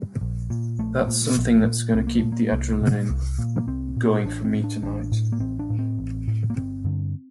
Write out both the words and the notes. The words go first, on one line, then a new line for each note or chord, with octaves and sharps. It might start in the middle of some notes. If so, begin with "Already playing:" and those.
That's something that's going to keep the adrenaline going for me tonight.
Already playing: G3
A#1
A#2
A#1 A3
A#2
A#1
A#2
C2 C4
A#3
A#2 A3
A#3
C2
A#2
C2
A#2
A#3
C2 C4
A#2
A1 D4
C4
A2
D4
A1 D4
A2
A#3
A1 C4
D4
A2
C4
A1
A2
A#3
G1 C4
G2 D3